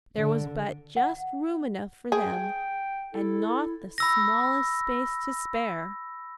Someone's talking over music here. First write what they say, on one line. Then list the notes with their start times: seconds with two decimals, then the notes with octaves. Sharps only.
There was but just room enough for them, and not the smallest space to spare.
0.16 D3
0.97 F#5
2.12 G#4 G5
3.14 E4 A4
3.98 B5 E6 A#6